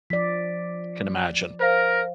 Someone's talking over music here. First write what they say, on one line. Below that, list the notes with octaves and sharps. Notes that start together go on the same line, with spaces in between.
Can imagine.
F3 D5 B6
A#4 C5 F5